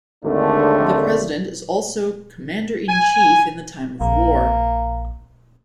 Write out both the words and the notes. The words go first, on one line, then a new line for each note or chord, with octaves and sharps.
The president is also commander-in-chief in the time of war.
G#1 D#2 D3 A3 C4 D4
G#5
A#1 A#3